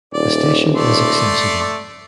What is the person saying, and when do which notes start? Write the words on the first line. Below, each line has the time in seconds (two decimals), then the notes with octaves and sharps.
The station is accessible.
0.14 D#1 D5
0.75 A3 D5 C6